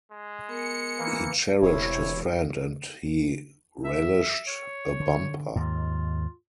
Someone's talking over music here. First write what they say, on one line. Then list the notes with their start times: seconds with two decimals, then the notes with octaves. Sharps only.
He cherished his friend and he relished a bumper.
0.12 G#3
0.48 B3 A#4 G#5 C#7
0.99 E3 A#3
1.62 E1 C3 E4 C#5
3.85 E5
4.48 C#5
5.00 D3
5.56 D#2 G#2 F4